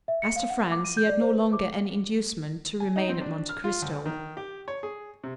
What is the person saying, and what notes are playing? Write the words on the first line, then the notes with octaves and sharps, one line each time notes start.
As to Franz, he had no longer any inducement to remain at Monte Cristo.
E5
C#7
F5
F#5
D6
D#7
G6
D5
C5
B4
D6
G#5
D#4
C4
D4
F6
F4
D2
D#3
G4
C#5
G#4
C3